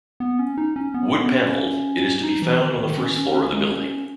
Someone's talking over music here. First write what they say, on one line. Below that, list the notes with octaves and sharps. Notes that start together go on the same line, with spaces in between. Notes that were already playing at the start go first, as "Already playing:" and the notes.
Wood panelled, it is to be found on the first floor of the building.
B3
C#4
D#4
C#4
B3
B3
C#4
D#4
E3
D#3
D#3
C#4
C#4
C#4
G#3
C#4